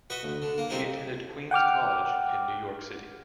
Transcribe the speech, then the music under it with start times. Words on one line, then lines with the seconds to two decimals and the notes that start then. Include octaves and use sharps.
She attended Queens College in New York City.
0.10 F#4 B4 D#5
0.23 D2
0.42 D3
0.58 A#3
0.70 C3 G3 C4 D#4 E4
1.51 F#5 G5 D6 F6